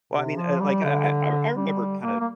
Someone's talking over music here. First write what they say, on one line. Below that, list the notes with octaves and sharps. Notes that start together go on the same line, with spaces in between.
Well, I mean, uh, like, uh, I I I remember kinda
C3
F3
G3
D3
G3
A#3
A#3